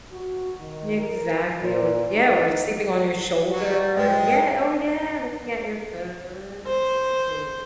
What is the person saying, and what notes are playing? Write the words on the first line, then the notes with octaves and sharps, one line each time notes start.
Exactly, or Yeah, or sleeping on your shoulder, and Yeah, oh yeah, looking at your phone, exactly.
F#4
D#3
A#4
A#2
D#4
F#3 F#4
G#2 G#3 B4 C5 D#5 G5
C5